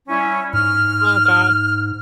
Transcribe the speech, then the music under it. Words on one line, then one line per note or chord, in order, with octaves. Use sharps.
Oh god.
G3 C#4 E4
G#2 F6